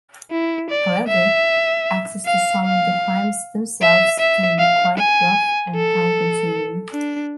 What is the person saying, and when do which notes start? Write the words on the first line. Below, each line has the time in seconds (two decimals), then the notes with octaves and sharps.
However, access to some of the climbs themselves can be quite rough and time-consuming.
0.31 E4
0.70 D5
1.08 E5
2.26 F5
2.65 F5
3.81 E5
4.20 E5
4.59 F5
4.98 G#5
5.76 A4
6.92 D4